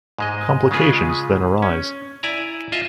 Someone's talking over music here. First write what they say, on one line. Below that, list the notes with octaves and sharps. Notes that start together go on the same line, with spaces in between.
Complications then arise.
G#2 G#3 D#5
C#3 G#3 B3 F4 G#4 B4
C#4
E4 D5 G#5 A#5
F4 D#5 E5